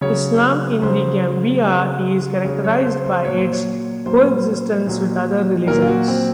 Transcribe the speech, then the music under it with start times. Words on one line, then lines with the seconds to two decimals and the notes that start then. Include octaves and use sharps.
Islam in the Gambia is characterized by its coexistence with other religions.
0.01 C#3 F#3 C#5
0.82 C#3 F#3 C5
1.63 C#3 F#3
2.44 C#3 F#3 C#5
2.64 C#5
2.85 C5
3.05 C5
3.24 A#2 F#3 C#5
3.38 C5
3.52 C#5
4.06 A#2 F#3 C5
4.87 A#2 F#3
5.67 A#2 F#3 A#4
5.82 F4
5.88 F#4
6.08 C4